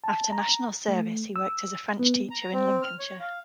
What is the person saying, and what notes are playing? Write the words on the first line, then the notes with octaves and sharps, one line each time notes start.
After national service he worked as a French teacher in Lincolnshire.
A5
A#5
A3
E6
B3
A#5
C4
F6
C#5
F5